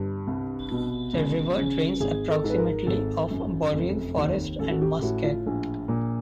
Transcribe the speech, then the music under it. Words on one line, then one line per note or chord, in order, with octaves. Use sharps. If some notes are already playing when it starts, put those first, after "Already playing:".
The river drains approximately of boreal forest and muskeg.
Already playing: G1 G2
C2
B2
C#2
C#3
G#1 G#4
A4
G#2
B4
A#4
G#1 A4
F#2
F1
D#2
A1 A4
F#4
G4
A2 F#4
F4
A#1
A#2